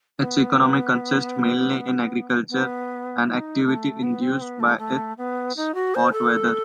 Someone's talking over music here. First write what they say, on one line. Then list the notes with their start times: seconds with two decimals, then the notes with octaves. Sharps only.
Its economy consists mainly in agriculture, an activity induced by its hot weather.
0.19 B3
2.50 B3
3.26 E4
3.31 D#4
3.65 A3
4.03 B3
4.21 C4
4.41 B3
4.60 A3
4.79 A3
5.18 B3
5.56 D#4
5.74 F#4
5.95 C5
6.13 A4